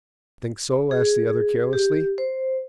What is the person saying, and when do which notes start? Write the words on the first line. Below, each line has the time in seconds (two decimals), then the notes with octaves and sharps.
"Think so?" asked the other carelessly.
0.91 G#4
1.73 G4
2.18 C5